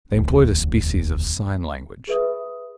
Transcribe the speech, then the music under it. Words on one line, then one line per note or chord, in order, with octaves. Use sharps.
They employed a species of sign language.
E1 D2
G#4 B4 E5 D#6